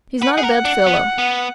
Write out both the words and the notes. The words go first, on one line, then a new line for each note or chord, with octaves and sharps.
He's not a bad fellow.
B4 F#5
G#4
A#4
D4
B3
B3